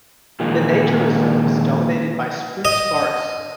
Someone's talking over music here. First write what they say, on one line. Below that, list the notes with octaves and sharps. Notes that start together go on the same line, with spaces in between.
The nature reserve is dominated by spruce forest.
A#2 D#3 F3 G#3 A#3
D#5